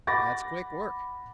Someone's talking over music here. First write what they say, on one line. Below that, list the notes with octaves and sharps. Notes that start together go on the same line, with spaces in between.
That's quick work.
F#5 B5 D6 A6 A#6